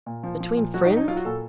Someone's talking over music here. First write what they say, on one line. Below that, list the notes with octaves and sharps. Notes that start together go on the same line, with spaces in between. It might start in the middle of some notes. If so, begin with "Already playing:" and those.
Between friends?
A#2
F3
F3
A#2
F#3 F#4
D#4
F#3
D#4
F#3 F4
F#4
A#2 A4